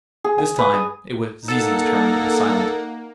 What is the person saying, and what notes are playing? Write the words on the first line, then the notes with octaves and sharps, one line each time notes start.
This time it was Zizi's turn to be silent.
G#4
G#5
B4
D#6
A#3 D#4 A4 F#5